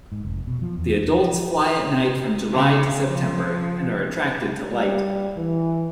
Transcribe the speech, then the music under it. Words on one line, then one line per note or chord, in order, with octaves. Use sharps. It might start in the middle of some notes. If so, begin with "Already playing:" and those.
The adults fly at night from July to September and are attracted to light.
G#2
F1
B2
F3
E2
F3
F3
C#3
F3
G3
E3